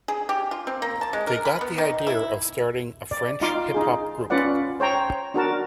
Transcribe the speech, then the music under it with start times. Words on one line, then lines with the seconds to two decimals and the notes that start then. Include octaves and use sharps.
They got the idea of starting a French Hip Hop group.
0.08 G#4
0.29 G4
0.51 F4
0.67 C4
0.82 A#3
1.01 A5
1.13 G#3
1.27 A#4
1.45 B5
1.61 B3
1.78 D#3
2.07 E4
3.11 D5
3.41 D#4 F4 F5 C6 D6
3.74 D#4 G#4
4.30 C#4 F4 B4 D5 F#5
4.80 C5 C#5 G5 A#5
5.34 D4 F#4 A#4 A5